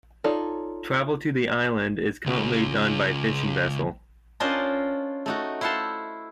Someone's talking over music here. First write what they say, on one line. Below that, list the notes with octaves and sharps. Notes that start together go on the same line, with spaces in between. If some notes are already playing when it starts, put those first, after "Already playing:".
Travel to the island is currently done by fishing vessel.
D#4 F4 A4 C#5 D5
C#2 F4
C#4 D4 F4 A#4 C5 D#5
A3 D#4 F#4
E4 C5 F5 F#5 A5 C6